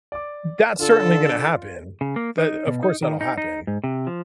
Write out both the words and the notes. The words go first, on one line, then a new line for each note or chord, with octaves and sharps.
That's certainly gonna happen. That of course, that'll happen.
D5 D6
D3 F4 A4
C#3
A#3
D#4
B2
D#4
D#3
D#4
D#4
G#2
C3
F3